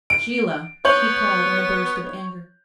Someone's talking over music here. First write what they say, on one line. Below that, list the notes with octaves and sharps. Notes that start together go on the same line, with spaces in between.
'Sheila!' he called in a burst of anger.
D7
B3 C#5 G6 F#7